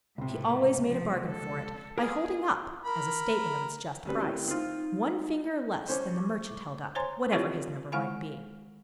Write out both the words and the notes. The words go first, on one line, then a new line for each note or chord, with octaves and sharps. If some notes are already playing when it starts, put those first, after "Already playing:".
She always made a bargain for it, by holding up, as a statement of its just price, one finger less than the merchant held up, whatever his number might be.
C#2 A2 C3
F3
A4
G#4 A#4 B4 D5
A#4 B5
D2 G3 C4 C#4 F#4 B4
E4 A#4 G5
C4 D#4 F4
C#4 C5 C#6 D6
C5 C#5 G#5 A#5 C6
C4 E4 F4 G4 A#4 C#5
D#3 G#3 E4 F5 G#5 B5